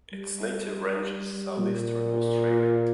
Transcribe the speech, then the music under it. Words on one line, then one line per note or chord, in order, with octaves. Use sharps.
Its native range is Southeastern Australia.
G3
A#2